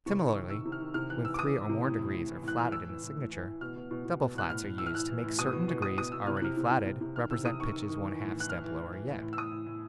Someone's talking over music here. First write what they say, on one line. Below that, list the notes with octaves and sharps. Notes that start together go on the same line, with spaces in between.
Similarly, when three or more degrees are flatted in the signature, double-flats are used to make certain degrees already flatted, represent pitches one half-step lower yet.
C3 C#6
D#3
C#6
D#3
D#3 E6
C3
F6
D#3
C3 F6
E3 F#6
E3 E6
D6
E3 D#6
E3
C3
A2
A2
A2
E3
A2
F#6
E3 F6
A2 E6
E3
A2
A2
E3
E3
B2 F6
B2
B2
B2
B2
B2 F#6
A2 F6
A2
E3 E6
F6
A2 F#6
E3
A2
B2 D#6
B2
B2
B2 D#6
B2 D#6
B2 E6
C3 F6
F#6
C3 F6
C3
C3
C3
C3
D#3 F6
C3 E6
C3 D#6
D#3 C#6
D#3
D#3
E3
A2
E3
F#6
E3 F6
E3
E3
E3
A2
A2
E6
A2 D#6
A2
A2